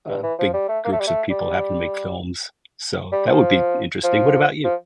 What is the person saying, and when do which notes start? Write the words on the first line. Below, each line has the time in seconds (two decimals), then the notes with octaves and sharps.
uh, big groups of people having to make films. So that would be interesting. What about you?
0.09 G2
0.23 E3
0.38 F3
0.54 G3
0.69 A3
0.84 A#3
0.92 A3
1.00 G3
1.07 A3
1.30 G3
3.12 G3
3.27 F3
4.04 F3
4.64 F3